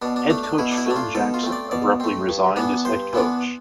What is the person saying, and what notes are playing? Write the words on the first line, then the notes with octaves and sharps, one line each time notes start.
Head coach Phil Jackson abruptly resigned as head coach.
B2 D4
D4
A3 D4
D4
B2 E4
D4
E4
A3 D4
F4
B2 A4
F4
A3 C4
D5
B2 D5
A3 C4
G2
E3 B3 D4
G2 C5
E3 B3 D4